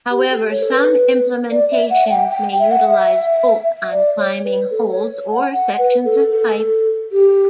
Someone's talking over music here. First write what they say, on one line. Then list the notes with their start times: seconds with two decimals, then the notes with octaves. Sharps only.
However, some implementations may utilize bolt on climbing holds or sections of pipe.
0.11 G4
0.31 A4
0.50 C#5
0.63 A4
0.71 B4
1.51 D5
1.71 E5
1.90 F#5
2.11 G5
2.31 G5
2.60 E5
2.71 F#5
2.91 E5
3.92 D5
4.17 C#5
4.44 B4
4.71 A4
4.91 C#5
5.32 F#5
5.52 F#5
5.78 B4
6.05 A4
6.31 A4
7.12 G4